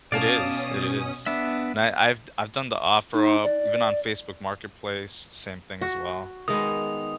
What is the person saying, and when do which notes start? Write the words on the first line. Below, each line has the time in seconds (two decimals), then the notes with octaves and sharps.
It is. It is. And I I've d I've done the OfferUp, even on Facebook marketplace, same thing as well.
0.12 B2 C#4 D5 F5 A5 D#6
1.26 B3 D4 E5
3.14 D#4
3.44 D5
5.81 F#4
6.48 D#3 G#3 B3 D#6